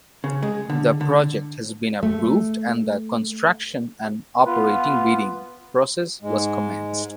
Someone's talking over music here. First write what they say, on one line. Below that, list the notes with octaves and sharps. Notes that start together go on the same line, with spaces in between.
The project has been approved and the construction and operating bidding process was commenced.
C#3
G#3
D3
D3
A3
B3 F4 B4
G#2 G#3